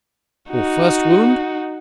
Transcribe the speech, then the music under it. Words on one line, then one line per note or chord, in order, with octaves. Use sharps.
"Your first wound?"
D#4 F#4